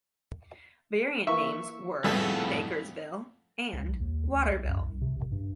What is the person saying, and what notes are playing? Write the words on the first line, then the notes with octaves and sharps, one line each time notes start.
Variant names were "Bakersville" and "Waterville".
E3 A#3 E5 C#6
F2 A2 G3 A3 B3 G#4 A4 E5
C#2
B1
D#2
D2
C2
F#2
C2
C3
A1
G2